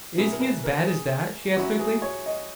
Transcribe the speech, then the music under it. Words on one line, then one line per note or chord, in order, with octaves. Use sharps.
"Is he as bad as that?" she asked quickly.
B2 F#3 C#4 E4 G#4
A#4
B4
A#4
G#4
F#3 C#4 E4 F#4
G#4
C#5
D#5